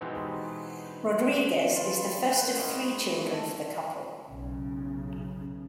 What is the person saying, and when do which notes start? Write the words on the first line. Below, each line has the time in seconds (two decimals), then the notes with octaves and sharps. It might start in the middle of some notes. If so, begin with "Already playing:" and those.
Rodriguez is the first of three children for the couple.
0.01 B2 E3 G#3 B3 C4 D#4
1.72 E3 F4
2.30 A#2 B4 G5
2.52 G#2 C#4
3.25 D#3 A3
4.27 B1 C#3